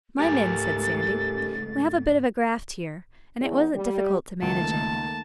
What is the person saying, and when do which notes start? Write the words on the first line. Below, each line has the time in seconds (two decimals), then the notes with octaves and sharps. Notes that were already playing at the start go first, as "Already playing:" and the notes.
'My men,' said Sandy. 'We have a bit of a graft here, and it wasn't difficult to manage it.
0.19 C#2 G#2 A3 G4 A#4 G#5 A6
3.41 E2
3.75 G3
4.42 C#2 D#3 A3 A#3 A5